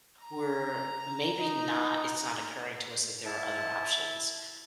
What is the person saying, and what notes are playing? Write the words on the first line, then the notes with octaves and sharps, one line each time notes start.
we're maybe not it's not occurring to us that there are other options.
A#5
D#4
E4 A5